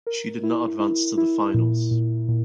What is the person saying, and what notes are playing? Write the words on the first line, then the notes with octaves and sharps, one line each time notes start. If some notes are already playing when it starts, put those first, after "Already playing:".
She did not advance to the finals.
A#4
E4
E4
E4
A#2
A#2
A#2